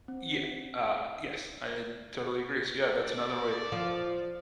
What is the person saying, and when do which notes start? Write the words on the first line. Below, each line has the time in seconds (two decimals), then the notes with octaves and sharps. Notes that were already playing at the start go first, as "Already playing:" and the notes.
Yeah uh, yes, I totally agree. So yeah, that's another way
0.08 C4
3.00 A4 D5
3.72 F3